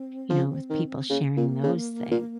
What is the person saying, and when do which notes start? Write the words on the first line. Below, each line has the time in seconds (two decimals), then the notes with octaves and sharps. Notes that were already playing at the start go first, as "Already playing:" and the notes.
you know, with people sharing those things.
Already playing: C4
0.30 F3
0.70 D#3
1.10 C#3 A#3
1.37 A#2 A#3
1.63 C#3
2.11 A#2